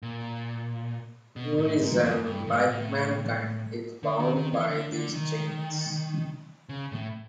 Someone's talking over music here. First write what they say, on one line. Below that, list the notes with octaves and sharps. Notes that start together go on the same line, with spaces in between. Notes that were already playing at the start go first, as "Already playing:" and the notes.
Urizen, like mankind, is bound by these chains.
A#2
B2
A2
G#2
F#2
G2
G#2
A2
D3
D#3
D#3
E3
D3
D3
D#3
C#3
A2